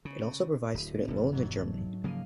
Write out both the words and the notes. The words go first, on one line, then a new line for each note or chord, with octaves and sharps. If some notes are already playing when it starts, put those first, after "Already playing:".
It also provides student loans in Germany.
C#3
D1 A2 B6 D#7
F1 E2
G#2 F#3 A3
C#3 F3 A#3 F5 D#7